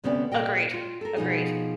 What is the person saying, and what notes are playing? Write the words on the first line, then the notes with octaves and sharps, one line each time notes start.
Agreed. Agreed.
D2 C3 B3 C#4 D5
A#2 F#3 A#4 D#5 G5
F4
A4 A#4
B2 F3 D#4 G#4